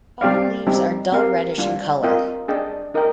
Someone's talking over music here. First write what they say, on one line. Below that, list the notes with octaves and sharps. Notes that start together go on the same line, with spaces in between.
Fallen leaves are dull reddish in colour.
G3 C4 G4 D5 F5
G3 C4 D#4 G4
C4 G4 A#4 F5
G3 D4 F4
C4 F4 A#4 D#5 G5
D4 G#4 D#5 G5
D#4 A#4 D#5 G5